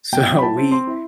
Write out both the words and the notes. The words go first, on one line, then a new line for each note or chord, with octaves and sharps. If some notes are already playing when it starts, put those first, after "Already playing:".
So we
B2 G5
F#3
B5
E4 A5
C4
C4 C6
E4